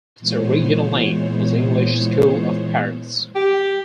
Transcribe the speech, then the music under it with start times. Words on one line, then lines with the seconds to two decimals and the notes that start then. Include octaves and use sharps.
Its original name was English School of Paris.
0.19 A#2 E3 G#3 B3 C5 C#5
3.35 G4